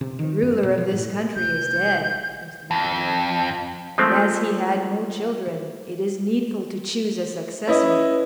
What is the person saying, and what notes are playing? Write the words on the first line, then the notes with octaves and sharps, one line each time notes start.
'The ruler of this country is dead,' was the reply, 'and as he had no children, it is needful to choose a successor.
C3
D#3
F#2
B2
F3
A2
F1 G6
F2
F3 G#3 A3 C4
C#4 E4 B4 D#5